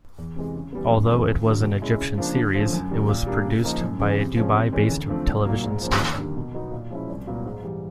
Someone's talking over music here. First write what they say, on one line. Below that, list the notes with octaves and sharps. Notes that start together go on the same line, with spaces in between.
Although it was an Egyptian series, it was produced by a Dubai-based television station.
E2
C3 E3 G#3
C#3
E3 G3 B3
F#2
C#3 E3 A3 C4
D#2
D3 F#3
B2
G#3 C#4 E4
C#3
F3 A#3 D4
D3
F3 A3 C#4
F#2
D#3 G3
A#2
G3 A#3 D4
C#3
F3 A#3 D#4
F#2
C#3 E3 G#3
C3
F3 G#3 C#4
C3
E3 G#3 C#4
D2
D3 F3 A3 C4
C2
A#2 F#3 A#3
G#2
F3 A#3 C#4
D#2
D3 G3
B2
F#3 B3 D#4 F#4
A#2
F3 G#3 C#4 E4
C2
A#2 F#3 B3
G#2
E3 G3